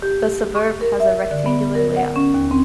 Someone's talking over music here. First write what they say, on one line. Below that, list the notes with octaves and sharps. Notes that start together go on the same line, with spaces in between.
The suburb has a rectangular layout.
G4
C#6
A#4
E5
D3
B3
A#4
F#5
C#4
D#2
C4